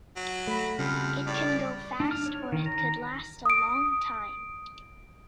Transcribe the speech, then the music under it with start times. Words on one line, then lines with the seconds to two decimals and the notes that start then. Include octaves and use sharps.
It can go fast or it could last a long time.
0.16 F#3
0.47 A3 B5
0.79 F2 C#3 G3 F6
1.27 A2 D5
2.00 D4
2.11 F6
2.26 C#5
2.52 D#3
2.66 A#5
3.46 D#6 D7